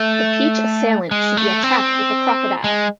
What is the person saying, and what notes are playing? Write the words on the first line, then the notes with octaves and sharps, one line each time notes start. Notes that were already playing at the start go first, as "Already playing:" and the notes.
The peach assailant should be attacked with a crocodile!
Already playing: A3
G#3
A3
C4
G#3